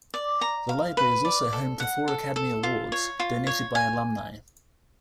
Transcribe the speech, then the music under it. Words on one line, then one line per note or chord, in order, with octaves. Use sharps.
The library is also home to four Academy Awards, donated by alumni.
D5
A#5
F5
B4
D5
A4
F#5
A4
A4
F4
C#5
F4
C#5
G#5